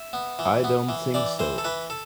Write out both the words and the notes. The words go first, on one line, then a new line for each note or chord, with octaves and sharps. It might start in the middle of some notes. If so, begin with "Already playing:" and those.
I don't think so.
Already playing: E5
B3
E3
B3
E3
E3 D5
E3 C5
A4
E3 B4
A4